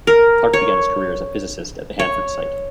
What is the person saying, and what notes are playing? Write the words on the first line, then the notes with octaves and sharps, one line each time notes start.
Clark began his career as a physicist at the Hanford Site.
A#4
C#5
C#5